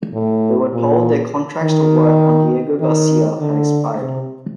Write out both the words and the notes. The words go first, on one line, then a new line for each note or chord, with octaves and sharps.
They were told their contracts to work on Diego Garcia had expired.
A2
A#2
D#3
D#3
D3
C3